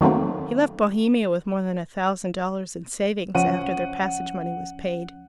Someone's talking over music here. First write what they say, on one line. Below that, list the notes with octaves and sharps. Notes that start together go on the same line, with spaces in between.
He left Bohemia with more than a thousand dollars in savings, after their passage money was paid.
D#3 F#3 A3 A#3 C4
C#2 F3 C#4 F#5 D#7